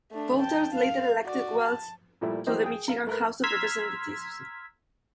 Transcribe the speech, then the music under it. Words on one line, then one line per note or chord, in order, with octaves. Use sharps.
Voters later elected Wells to the Michigan House of Representatives.
A3 D4
G5 A5
F5
F#4 D5
A5
A#2 F3 G3 A3 E4
E3 F#3 A#3 G4 C5 D#5
G#4 G5
F5 A#5
A3 A#4 B4
A#5 C6 E6 F6 G#6 B6